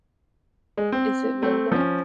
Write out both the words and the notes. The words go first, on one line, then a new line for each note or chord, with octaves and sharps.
Is it lowbrow?
G#3
C4
A3 C4
F3 C#4